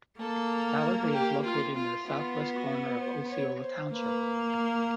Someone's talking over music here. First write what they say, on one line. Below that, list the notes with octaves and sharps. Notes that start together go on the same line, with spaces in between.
Dollar Bay is located in the southwest corner of Osceola Township.
A#3 A4
G4
F4
F4
B3 F4
F#4
C5
C#5
C5
A#3 B4